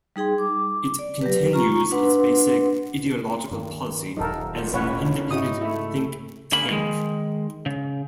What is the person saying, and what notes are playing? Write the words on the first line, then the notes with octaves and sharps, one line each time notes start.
It continues its basic ideological policy as an independent think tank.
G3 D#4 G#4 G5 C6
D6
D5
F#3 G4 B4
F4 A#5 C#6
D4 B4 F#5 C6
G2 D#3
D#1 F#3 D#4 A4 A#4
F3 A3
E1 C#4 E4 F4 B4 C#5 F#5
G#2 C#3 D#4 E4 F#4 D#6
A3 E4
D2 C#3 A#3 B5
D#3 G#3
C#3